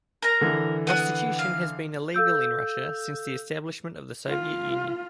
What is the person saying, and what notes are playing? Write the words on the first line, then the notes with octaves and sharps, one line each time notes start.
Prostitution has been illegal in Russia since the establishment of the Soviet Union.
A#4 A#5
D3 E3
B3 F#5 D#6
F5
A4 F5 E6 G6
F4